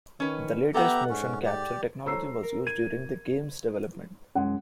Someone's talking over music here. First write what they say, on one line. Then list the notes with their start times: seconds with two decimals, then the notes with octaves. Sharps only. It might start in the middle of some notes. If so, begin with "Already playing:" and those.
The latest motion capture technology was used during the game's development.
0.20 D#3 C#4 B4
0.74 B3 G4 A4 E5 F#5 A#5
1.10 G#2 C#4
1.45 G4 D5
2.06 A4 C5 C#5 A#5 E6 C7
2.43 A#4
2.67 G#6 D#7
4.35 C2 F#2 G#3 C#4 F#5